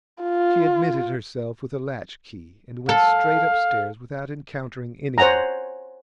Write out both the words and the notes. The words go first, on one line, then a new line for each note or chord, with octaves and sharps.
She admitted herself with a latch-key, and went straight upstairs without encountering anyone.
F4
A4 F5
C5 C#5 F#5 G#5 A#5